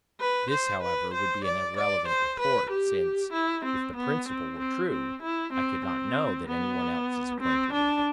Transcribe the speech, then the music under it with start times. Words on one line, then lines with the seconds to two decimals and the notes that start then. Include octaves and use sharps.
This, however, would be an irrelevant retort, since, if the principle were true, I could not know that any one else is acquainted with him.
0.20 B4
0.50 C5
0.83 B4
1.14 C5
1.44 D5
1.76 D5
2.08 C5
2.40 B4
2.70 G4
3.33 E4
3.64 C4
3.96 B3
4.28 C4
4.59 C4
4.90 C4
5.22 E4
5.53 C4
5.85 C4
6.47 B3
7.40 C4
7.73 D4